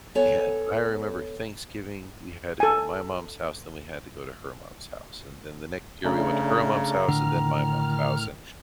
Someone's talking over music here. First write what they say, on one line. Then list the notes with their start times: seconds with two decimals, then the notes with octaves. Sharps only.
and I remember Thanksgiving, we had to go to my mom's house, then we had to go to her mom's house, and then the next year we went to her mom's house and then my mom's house, and,
0.15 B3 A4 C#5 G#5
2.60 A4 G#5
6.05 C#3 A3 C#4 D4 A#5
7.08 A2 D3 D#3 F6